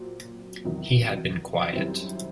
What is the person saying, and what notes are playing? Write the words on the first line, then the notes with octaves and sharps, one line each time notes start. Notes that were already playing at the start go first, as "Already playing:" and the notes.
He had been quiet.
Already playing: A#2 F#3 C4
E2 C3 D#3 F#3
F#2 D#3 G3 C4 E4